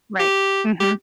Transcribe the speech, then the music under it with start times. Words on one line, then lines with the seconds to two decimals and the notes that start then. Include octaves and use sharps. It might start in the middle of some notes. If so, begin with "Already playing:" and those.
Right, mhm.
0.20 G4
0.80 G4